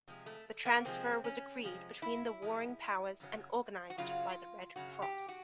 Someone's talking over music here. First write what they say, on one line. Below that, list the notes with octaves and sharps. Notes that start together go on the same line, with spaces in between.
The transfer was agreed between the warring powers and organised by the Red Cross.
C3 F3 G#3
A3
A#3
C3 F3 G#3 C4
C#4
C3 F3 G#3
E4
C3 F3 G#3
F#2 C#3 F#3
F#4
F#2 C#3 F#3 F4
F#2 C#3 F#3 F#4
G4
F#4